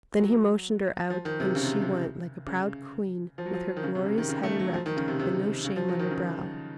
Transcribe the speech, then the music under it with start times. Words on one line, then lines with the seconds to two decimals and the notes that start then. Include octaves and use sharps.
Then he motioned her out and she went, like a proud queen, with her glorious head erect and no shame on her brow.
0.18 F#3
1.10 F3
1.25 D#3
1.40 C3
1.55 C#3
1.64 C3
1.81 C3
2.47 C#3
3.38 F3
3.46 F#3
3.53 F3
3.77 D#3
3.83 C#3
3.95 C3
4.05 C#3
4.18 D#3
4.29 C#3
4.43 A3
4.59 F#3
4.74 F3
4.86 D#3
4.97 C#3
5.08 C3
5.19 C3
5.65 C#3
5.76 F3
5.88 F#3
5.99 D#3
6.11 C#3